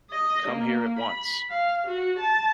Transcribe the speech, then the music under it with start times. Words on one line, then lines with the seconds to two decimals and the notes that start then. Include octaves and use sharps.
Come here at once.
0.10 D#5
0.48 A#3
0.99 B5
1.50 F5
1.87 F#4
2.19 A5